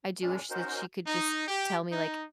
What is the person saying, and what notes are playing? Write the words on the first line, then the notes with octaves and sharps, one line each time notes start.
I do wish that she could just tell me, like
F#2 A#2 G#3 C#4 D4
C#4 D#4 F#4 A#4 C5
D#4
G4
D#4